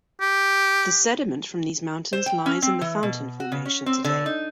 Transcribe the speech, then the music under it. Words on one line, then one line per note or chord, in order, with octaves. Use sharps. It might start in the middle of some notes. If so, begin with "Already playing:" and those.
The sediment from these mountains lies in the Fountain Formation today.
G4
C5
G5
C#4
C4
E3
B2
F#4
C#3
C#4
C4
D3
D#4